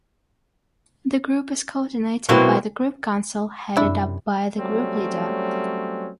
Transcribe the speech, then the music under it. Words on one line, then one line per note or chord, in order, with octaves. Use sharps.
The Group is coordinated by the Group Council, headed up by the Group Leader.
B2 F#3 A#3 C4 E4 B4
F#2 C3 D4 E4
F#3 G3 A3 C4 C#4